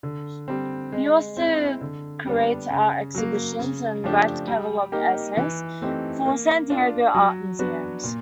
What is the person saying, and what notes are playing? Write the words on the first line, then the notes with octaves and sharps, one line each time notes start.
He also curates art exhibitions and writes catalog essays for San Diego art museums.
D3
G3 C4
G#3
C4 E4
D3
G3 B3 D4
C#3
F#3 A#3
C#3
F3 A3 D4 G4
G3
A#3 D#4 G4 A#4
E3
A3 C4 D#4 G4
A#3
D4 F4
F#3
B3 D4 F#4 B4
A#2